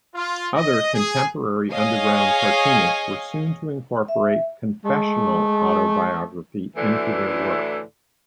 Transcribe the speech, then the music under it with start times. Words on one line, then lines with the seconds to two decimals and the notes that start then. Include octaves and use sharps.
Other contemporary underground cartoonists were soon to incorporate confessional autobiography into their work.
0.14 F4
0.54 D#5
0.93 G#4
1.72 G#4 C#5 D#5 F5 G#5
4.08 E5
4.85 G#3 A3
6.76 D2 A2 D3 E3